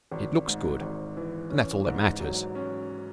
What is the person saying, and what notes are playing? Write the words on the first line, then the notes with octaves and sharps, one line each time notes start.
It looks good, and that's all that matters.
G#1
G#2
G#1
E3
C#4
G#2
F#3
C#4